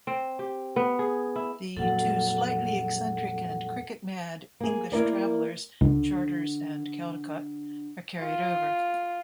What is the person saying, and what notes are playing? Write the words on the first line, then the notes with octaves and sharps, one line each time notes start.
The two slightly eccentric and cricket-mad English travellers, Charters and Caldicott, are carried over.
C4
G4
B3
G#4
E4
F2 A#2 F#3 A4 F#5
A#3 G#4
A#3 E4 A#4 D5
C#2 D3
F4